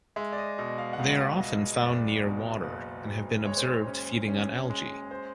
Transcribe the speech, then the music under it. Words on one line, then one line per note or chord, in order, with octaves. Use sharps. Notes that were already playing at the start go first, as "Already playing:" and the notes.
They are often found near water and have been observed feeding on algae.
G#3 E5
D5
D#5
B2 D#5
F5
F#5
C#2 F5
C#2 D#5
D#5
F#1 D5
B2
F#1
F#1
G#3 C#5
C5
C#5
C#4
C#4
G#3
C5